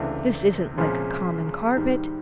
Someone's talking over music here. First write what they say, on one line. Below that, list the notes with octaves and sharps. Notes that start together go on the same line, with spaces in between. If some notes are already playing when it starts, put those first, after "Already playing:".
This isn't like a common carpet.
Already playing: C#2 C3 E3 A3 D4
C2 A#2 F3 G#3 C#4
G#2 D#3 G3